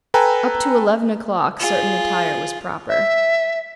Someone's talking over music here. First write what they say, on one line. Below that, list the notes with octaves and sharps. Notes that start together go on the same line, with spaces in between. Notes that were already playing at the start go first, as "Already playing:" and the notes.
Up to eleven o'clock certain attire was proper.
A4 B4 G5 G#5 A#5
F4 G#4
E5